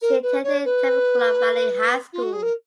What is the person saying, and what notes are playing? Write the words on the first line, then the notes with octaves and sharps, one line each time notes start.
She attended Temecula Valley High School.
A#4
B4
C#5
B4
F4
F#4
G#4
A#4